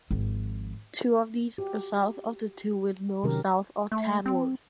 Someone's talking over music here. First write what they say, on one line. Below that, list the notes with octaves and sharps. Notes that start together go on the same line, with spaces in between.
Two of these are south of the two windmills south of Tadworth.
G#1 F3
F#4 G4
C3 D#3 F#3 C#4 G4 A#4
A3
C4